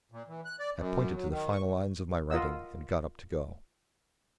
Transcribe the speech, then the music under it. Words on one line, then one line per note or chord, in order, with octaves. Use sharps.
I pointed to the final lines of my writing, and got up to go.
A#2
E3
F#6
D5
F#2
F#3
D#3
C#6
F4 A#4 D#5 F#5 E6